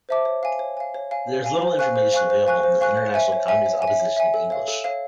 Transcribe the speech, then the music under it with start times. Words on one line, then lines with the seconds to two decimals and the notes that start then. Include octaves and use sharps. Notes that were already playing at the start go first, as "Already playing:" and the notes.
There is little information available on the International Communist Opposition in English.
0.09 C5 E5 A5 D6
0.25 C#5
0.43 F5 G#5
0.59 C#5
0.77 F5 G#5
0.94 C#5
1.11 F5 G#5
1.27 C#5
1.44 F5 G#5
1.62 C5
1.79 F5 G#5 C#6 F#6
1.96 C5
2.13 F5 G#5 C#6 F#6
2.30 C5
2.47 F5 G#5 C#6 F#6
2.63 C5
2.81 F5 G#5 C#6 F#6
2.97 C#5
3.14 E5 G#5
3.32 C#5
3.48 E5 G#5
3.66 C#5
3.82 G#5
3.88 E5
3.99 C#5
4.16 E5 G#5
4.34 A4
4.50 C#5 F5
4.68 A4
4.84 C#5 F5